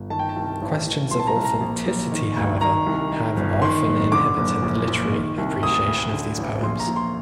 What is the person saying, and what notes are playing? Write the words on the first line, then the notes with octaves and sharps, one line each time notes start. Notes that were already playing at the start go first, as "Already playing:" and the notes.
Questions of authenticity, however, have often inhibited the literary appreciation of these poems.
Already playing: G1
D#3 A5
G5
A5
C2
A1
A1
C2 C6
A5
A#5
C2
A#5
A#1
A#1
D#3
D2
D#3 A#5
C2
D#3
G1
D#3 C6
F#1
D3 D6
F#1
A#1
A#1
D#3
C2
D2 D#6
D2
D3
A1
A#1 C6
A#5
A#1
C6